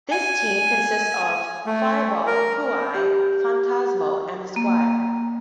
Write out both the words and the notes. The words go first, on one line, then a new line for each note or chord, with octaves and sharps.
This team consists of Fireball, Kuei, Phantasmo and the Squire.
G#5
A3
A#4
G4
A#3